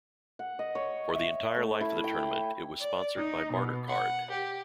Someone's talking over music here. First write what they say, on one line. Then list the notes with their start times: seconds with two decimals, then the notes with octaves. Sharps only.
For the entire life of the tournament it was sponsored by Bartercard.
0.39 F#5
0.59 D#5
0.75 C#5
1.15 E5
1.56 A3
1.81 E4
2.04 G5
2.80 D5
3.17 D#4
3.53 B2
3.88 F#5
4.29 G4